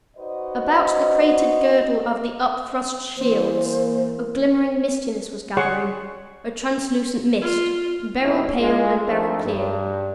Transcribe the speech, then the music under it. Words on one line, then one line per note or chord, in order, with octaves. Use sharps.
About the cratered girdle of the upthrust shields a glimmering mistiness was gathering; a translucent mist, beryl pale and beryl clear.
D#4 F#4 B4 C5 D5 D#5
E3 A#3 C5
G#4 C#5 F#5 C6 C#6
F4
F#2 C3 C4 D#4 E4
G#3 F4 G#4
F3 A3 C4 D4 D#4 A#4
G2